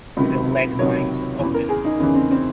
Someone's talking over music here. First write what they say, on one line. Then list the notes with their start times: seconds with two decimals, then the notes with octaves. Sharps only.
The lead mines of Odin.
0.17 C#2 C3 D#3 F#3
0.79 C#2 C3 D#3 F#3 C#5
1.39 E2 C#3 E3
1.54 A#4
1.69 G#4
1.85 D#4
2.00 E2 C#3 E3 C#4
2.15 C4
2.31 C4